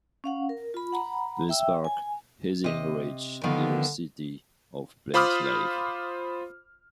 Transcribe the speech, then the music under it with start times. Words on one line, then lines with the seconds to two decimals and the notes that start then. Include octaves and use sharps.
The park has a rich diversity of plant life.
0.24 C#4 F5 F#5
0.49 A#4
0.74 F4 B5
0.92 F#5 A#5 B5
1.49 E5 G5 E6
1.85 G#5
2.64 C3 D#5
3.43 D3 D#3 F3 B3
5.14 F4 C5 B5 D6 D#6 F6